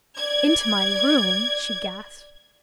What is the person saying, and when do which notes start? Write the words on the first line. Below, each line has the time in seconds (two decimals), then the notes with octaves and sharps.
"Into my room?" she gasped.
0.17 D5 G#6